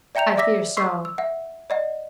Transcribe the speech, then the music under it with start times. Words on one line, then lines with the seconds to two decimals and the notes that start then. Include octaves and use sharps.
"I fear so."
0.15 D5 E5 G5 A#5 G6 F7
0.37 D5 E5 D6 E6 A#6 B6
0.77 C6 C#6 E6 B6 C7
1.05 E6
1.18 E5 F#5
1.70 D5 D#5 F#5